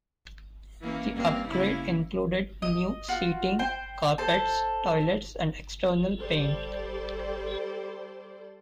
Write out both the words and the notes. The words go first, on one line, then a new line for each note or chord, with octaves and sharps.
The upgrade included new seating, carpets, toilets and external paint.
E3 A#3 C#4
G2 A#3 C4
C#3 A#3 E4
D#5
F4 F#4
C5 G5
A4 C5
G3 G4 A4 C5 D5